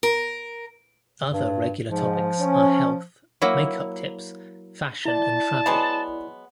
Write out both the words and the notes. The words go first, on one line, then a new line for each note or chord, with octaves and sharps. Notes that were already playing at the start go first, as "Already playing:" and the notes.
Other regular topics are health, make-up tips, fashion, and travel.
A#4
G2
G#2 F3
C#4
F#3 A#3 E4
E4 D5 A5
F#3 G#3 B3